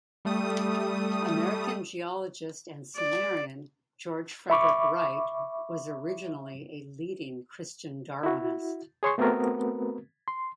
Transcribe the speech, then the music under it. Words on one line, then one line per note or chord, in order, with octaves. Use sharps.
American geologist and seminarian George Frederick Wright was originally a leading Christian Darwinist.
G3 A3 D#6
D5
E5 B5 C#6 D6
E4 F#4
G#4 C#5 C6 C#6
A3 B3 C4 F#4 A#4 B4
C6